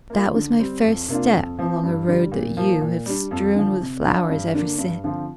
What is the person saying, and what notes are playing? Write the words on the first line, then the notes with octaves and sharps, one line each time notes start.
That was my first step along a road that you have strewn with flowers ever since.
A#3 F4
D3
G3 C4
F2
C3 A#3 D4 F4
F2
F3 C4
G2
D3 G3
A#2
F3 A#3
A#2
G3 D4
F2
D3 F3
C3
F3 D4 F4
G2
D3 A#3 D4
G2
D3 F3 C4 F4